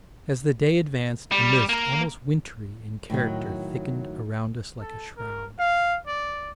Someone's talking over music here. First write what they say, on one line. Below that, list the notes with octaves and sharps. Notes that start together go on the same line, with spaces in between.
As the day advanced a mist almost wintry in character thickened around us like a shroud.
G3
A#3 A#4
A2 D3 D#3 F#3
A4
A#4
F5
D5